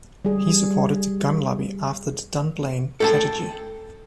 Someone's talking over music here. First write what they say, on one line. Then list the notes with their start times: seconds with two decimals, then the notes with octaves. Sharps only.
He supported the gun lobby after the Dunblane tragedy.
0.25 G3 G#4
3.00 A4 G5 A5